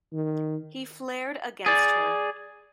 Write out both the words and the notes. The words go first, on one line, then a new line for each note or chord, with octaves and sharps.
He flared against her.
D#3
G#4 D5